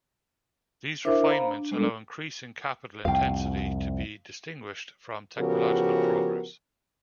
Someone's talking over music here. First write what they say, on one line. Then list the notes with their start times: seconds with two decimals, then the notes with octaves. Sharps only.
These refinements allow increasing capital intensity to be distinguished from technological progress.
1.05 D4 E4 A#4 C5 E5 D6
1.26 C5 F5 A#5 B5
1.48 D4
1.71 G3 G#3 B3 D4 A4
3.05 C2 F2 F5 G5
5.39 C#3 F3 B3 F#4 G4 A#4